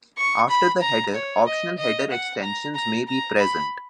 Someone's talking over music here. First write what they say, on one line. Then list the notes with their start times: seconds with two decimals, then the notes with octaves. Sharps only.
After the header, optional header extensions may be present.
0.17 C#6
0.50 B5
0.82 A#5
1.15 C#5
1.47 D#5
1.78 D#5
2.11 F#5
2.43 A#5
2.75 A#5
3.08 A#5
3.39 B5